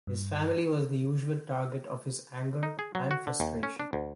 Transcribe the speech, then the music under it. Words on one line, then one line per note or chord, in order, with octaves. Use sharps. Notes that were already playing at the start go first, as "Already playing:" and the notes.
His family was the usual target of his anger and frustration.
G2
D#4
G#4
F#3
F#4
D3
D#2
C#4
D4
D2